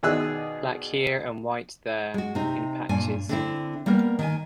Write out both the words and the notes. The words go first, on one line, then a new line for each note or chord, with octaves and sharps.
Black here and white there — in patches.
B2 D#3 G#4 D5 E6 F#6
G#3 F#4
C3 D#4
G2 A#2 D5 G#5
D3 C4 E4
G3 A#3 B3 A#4
D#3 G#5